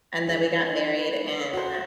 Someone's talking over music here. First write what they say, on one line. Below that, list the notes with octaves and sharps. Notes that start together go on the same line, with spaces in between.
and then we got married in
E3 G#4
D#5
B4
F#4 C5 F#5